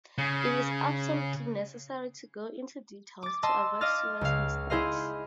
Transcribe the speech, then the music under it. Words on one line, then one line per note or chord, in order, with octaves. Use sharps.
It is absolutely necessary to go into details to avoid serious mistakes.
C#3
D6 A6
D#5 A5 C6 E6
D#5 F5 D6 F6 A6
C#2 F5
E4 G#4 C5 D#5 F5